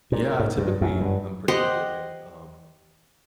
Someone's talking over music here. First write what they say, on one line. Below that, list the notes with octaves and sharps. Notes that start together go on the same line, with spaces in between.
Yeah, typically, I'm pretty forgiving, um,
A#2
G#2
G2
F#2
G2
G4 C5 D#5 F#5